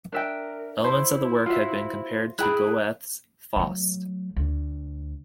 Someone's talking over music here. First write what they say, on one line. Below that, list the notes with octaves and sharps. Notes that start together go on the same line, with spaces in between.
Elements of the work have been compared to Goethe's "Faust".
D4 A#4 E5 G5
E4 C5
F4 F#4 E5
E4 G#4 G5 B5 F#6
F#3 A3
D2